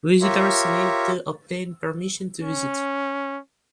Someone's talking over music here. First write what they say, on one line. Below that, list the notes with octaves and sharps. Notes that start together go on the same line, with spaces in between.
Visitors need to obtain permission to visit.
F4 G4 A#4 C#5 E5
C#4